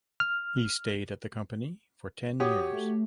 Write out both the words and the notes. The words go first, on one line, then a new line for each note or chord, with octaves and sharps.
He stayed at the company for ten years.
F6
F#4 G4 C#5 D#6
A3